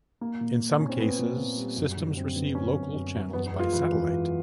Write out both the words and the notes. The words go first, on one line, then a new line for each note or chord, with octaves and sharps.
In some cases systems receive local channels by satellite.
A#3
A#2
A#2
A#2 C#4
C4
A#2 B3
A#2
A#2
G3
F#2
D3
F#2 C4
D3 B3
F#2 C#4
F#2
F#2
F#2
E2 B3
B3
G#3
F4
E3 B4
E3
E3